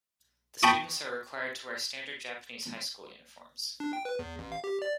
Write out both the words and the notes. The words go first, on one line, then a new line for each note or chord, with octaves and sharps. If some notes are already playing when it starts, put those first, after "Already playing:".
The students are required to wear standard Japanese high school uniforms.
G5 A5 B5 C#6 D#6
D4
G5
B4
E2
A1
F5
G4
D5